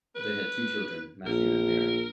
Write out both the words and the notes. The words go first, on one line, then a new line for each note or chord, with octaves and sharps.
They had two children, Matthew and Mary.
B4
A#1 A#4